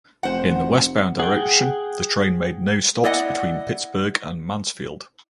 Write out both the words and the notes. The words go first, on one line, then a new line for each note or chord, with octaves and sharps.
In the westbound direction the train made no stops between Pittsburgh and Mansfield.
F1 C5 F#5
G#4 F#5 G5
E4 D5 D#5 F#5